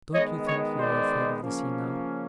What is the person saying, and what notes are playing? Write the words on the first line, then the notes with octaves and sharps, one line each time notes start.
'Don't you think you are afraid of the sea, now?'
D#3 G#3 B3 C#5 D#5
C#5 D#5
C5 D5
C#3 F3 A#3 C#4